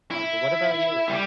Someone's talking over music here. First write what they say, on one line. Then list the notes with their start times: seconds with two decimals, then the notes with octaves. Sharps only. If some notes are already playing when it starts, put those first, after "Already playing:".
Um, but what about you?
0.11 E4
1.09 G3